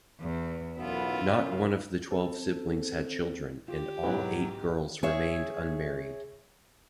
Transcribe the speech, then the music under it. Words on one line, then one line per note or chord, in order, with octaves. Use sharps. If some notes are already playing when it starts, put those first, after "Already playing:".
Not one of the twelve siblings had children, and all eight girls remained unmarried.
E2
B1 F#2 B3 E4 F4
F#2 C#3
C4 A4
F4 G4
B1 G#2 F#3 E4 B4
G#4 C#5 E5